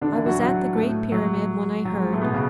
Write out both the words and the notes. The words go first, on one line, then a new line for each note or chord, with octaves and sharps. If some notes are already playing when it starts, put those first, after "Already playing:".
I was at the Great Pyramid when I heard.
D3 D4
E3 E4
F#3 F#4
F#3 F#4
A2 A3
F#3
F#3
G#3
A2 A3
B2 B3
C#3